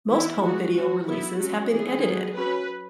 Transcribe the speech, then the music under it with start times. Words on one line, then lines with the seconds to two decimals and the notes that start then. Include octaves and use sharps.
Most home video releases have been edited.
0.10 E3 B3 E4
0.43 E3 G#3 B3 F#4
0.75 F#3 C#4 F#4
1.07 F#3 B3 E4
1.39 F#3 C#4 F#4
1.71 E3 G#3 B3 G#4
2.04 F#3 B3
2.35 F#3 C#4 B4